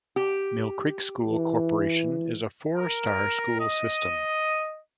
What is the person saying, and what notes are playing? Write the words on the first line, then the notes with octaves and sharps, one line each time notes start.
Mill Creek School Corporation is a four-star school system.
G4
E3
A#4
D#5